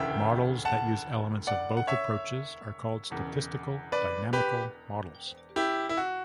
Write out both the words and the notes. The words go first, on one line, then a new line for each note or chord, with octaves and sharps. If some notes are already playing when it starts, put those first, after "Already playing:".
Models that use elements of both approaches are called statistical-dynamical models.
Already playing: E1 D2 C#3 E3 E5 G5
F#5 A5
D5 F#5
F#5
C#5 E5
E1 E2 C#3
B4 D5
G4 B4
E4 G4
E4
F#4